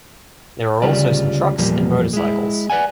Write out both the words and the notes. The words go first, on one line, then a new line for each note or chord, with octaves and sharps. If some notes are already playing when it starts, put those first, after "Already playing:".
There are also some trucks and motorcycles.
D2 C#3 G3 F4 D5
E2 A#2 F3 G3 A#3
G#3 E4
B4 D5 F#5 G#5